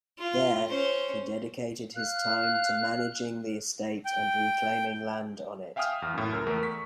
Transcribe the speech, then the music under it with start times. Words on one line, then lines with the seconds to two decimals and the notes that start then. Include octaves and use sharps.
There, he dedicated his time to managing the estate and reclaiming land on it.
0.19 F4
0.67 C#4 C5
1.96 F5 F#6
4.05 G5
5.76 E5 F5 G5 G#5 D#6 F6
6.02 E2
6.14 F#2 A2
6.32 C#2 A#4 E6
6.47 E2 A3 A#4
6.63 C#6 B6